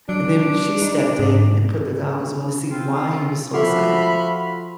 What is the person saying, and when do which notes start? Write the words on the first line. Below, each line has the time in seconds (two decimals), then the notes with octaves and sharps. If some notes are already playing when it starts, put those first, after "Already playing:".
and then she stepped in and put the goggles on to see why he was so excited,
0.09 F#3 D4
0.82 D#4
1.19 G#2
2.70 C4 F4
3.54 F3 F#4 A4 E5 F#5 B5 C6 F6